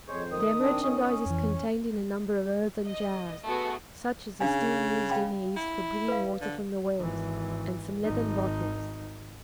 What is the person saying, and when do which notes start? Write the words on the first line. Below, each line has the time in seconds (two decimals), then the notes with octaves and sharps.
Their merchandise is contained in a number of earthen jars, such as are still used in the East for bringing water from the wells, and some leathern bottles.
0.08 F2 G#3 C5 C#5
0.32 D#3 D#6
0.59 C4 D4
0.81 C#4
1.26 F2 E3
2.87 D#5
3.46 A3 B3 F#4 G#4
4.41 C#3 D4 F5 G#5
5.10 F5 G5 B5
5.57 E4
6.08 B4 F5
6.42 D3
6.97 G#1 E3
8.04 G#1 D#4